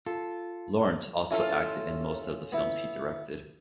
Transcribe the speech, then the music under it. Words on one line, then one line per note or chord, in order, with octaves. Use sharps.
Lawrence also acted in most of the films he directed.
F4 A4
C#4 E4 F4 A4
B3 E4